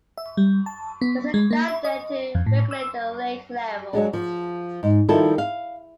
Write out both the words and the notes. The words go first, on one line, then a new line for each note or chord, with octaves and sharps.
There is a dam there to regulate the lake level.
E5
G3
A5
B3
G#3
A#3
E5
D#5
F2
A2
E6
F#3 G#3 D4
F3
G#2
D#3 F3 G3 E4 F4 A4
F5